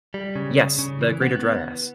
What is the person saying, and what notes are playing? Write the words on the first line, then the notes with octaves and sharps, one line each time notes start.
Yes, the Greater Dryas.
G3
C#3
C#3
C#3
E3
B3